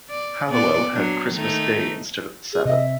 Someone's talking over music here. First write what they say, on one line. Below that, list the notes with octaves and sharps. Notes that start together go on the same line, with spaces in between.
Halliwell had 'Christmas Day' instead of the Sabbath.
D5
A#2 B3 D5
F#3 D4
D#3 A3 D#4
G#4
C3 D#5 E5